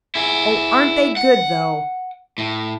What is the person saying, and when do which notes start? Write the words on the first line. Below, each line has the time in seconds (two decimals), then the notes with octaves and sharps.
"Oh, aren't they good, though!"
0.15 E4 G#4
1.17 F#5
2.38 A2